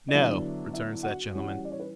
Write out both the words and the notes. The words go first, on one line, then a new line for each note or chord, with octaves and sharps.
'No,' returns that gentleman.
D5
D3 F#3 B3 D4 E4 E5
E4 E5
F#4 F#5
E3 G3 C#4
D5
C#5
B4